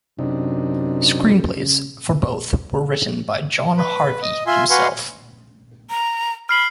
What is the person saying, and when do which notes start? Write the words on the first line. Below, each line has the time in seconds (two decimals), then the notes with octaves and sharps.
Screenplays for both were written by John Harvey himself.
0.19 F#2 C3 D4 D#4
1.56 C#3
3.77 B4
4.22 D#5
4.47 F4 E5 G#5 C6
4.70 F#4 B4 F5 F#5 G#5 C6
5.90 A#5
6.49 B5 F6 C7 F#7